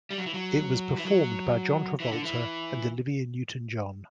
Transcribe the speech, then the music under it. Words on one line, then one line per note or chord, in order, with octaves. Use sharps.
It was performed by John Travolta and Olivia Newton-John.
G3
F#3
E3
F#3
E3
F#3
E3
D3
E3